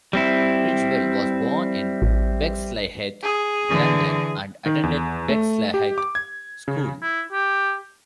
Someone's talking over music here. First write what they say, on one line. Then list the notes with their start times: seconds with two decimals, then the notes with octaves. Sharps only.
Ridgewell was born in Bexleyheath, London, and attended Bexleyheath School.
0.13 G3 C4 E4
2.02 A1
3.23 G#4
3.70 D3 E3
4.66 D#3
4.83 E2
5.29 A3
5.74 G4
5.98 D6
6.15 G#6
6.68 C#3
7.02 E4
7.33 G4